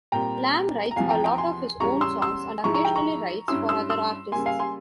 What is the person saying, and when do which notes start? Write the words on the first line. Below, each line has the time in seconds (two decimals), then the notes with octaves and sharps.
Lam writes a lot of his own songs and occasionally writes for other artists.
0.12 A#2 G3 C4 G5 A#5
0.91 A#5
0.96 E2 C3 F3 F5 G#5
1.10 G5 A#5
1.24 G5 A#5
1.38 G#5 C6
1.80 E2 C#3 G3 C#4 A#5 C#6
2.01 C6 E6
2.22 C6 E6
2.64 G#2 F3 G#3 E4 A#5 C#6
2.74 A#5 C#6
2.85 G5 A#5
2.95 A#5 C#6
3.48 G2 G3 C#4 E4 C6 E6
3.69 C6 E6
3.90 C6 E6
4.32 C#3 G3 A#3 G#5 C6
4.46 F5 G#5
4.59 G#5 C6